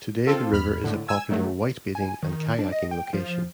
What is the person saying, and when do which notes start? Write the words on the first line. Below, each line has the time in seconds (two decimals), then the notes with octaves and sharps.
Today the river is a popular whitebaiting and kayaking location.
0.27 C4 F4 A4
0.52 E2 B5 F6
0.84 A2 D3
1.08 G#5 E6 G#6
1.30 D#3 F#3 A3
1.95 G#5
2.23 D#3
2.59 D4
2.72 D#5
2.91 G5
3.13 F3